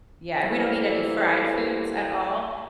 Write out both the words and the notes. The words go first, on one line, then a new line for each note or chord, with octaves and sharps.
Yeah, and we don't eat any fried foods at all,
B2 G3 A#3 E4 A4 C5